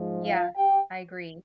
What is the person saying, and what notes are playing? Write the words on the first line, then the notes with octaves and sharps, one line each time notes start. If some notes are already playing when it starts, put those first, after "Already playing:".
Yeah, I agree.
Already playing: G#2 F3 G#3
F4 F5
G4 G5